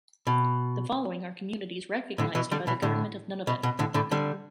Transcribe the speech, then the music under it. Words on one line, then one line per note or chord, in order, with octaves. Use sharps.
The following are communities recognised by the Government of Nunavut.
B2
A2 D3
B2 E3
D3 G3
B2 E3
A2 D3
B2
B2
A2 D3
A2 D3
D3 G3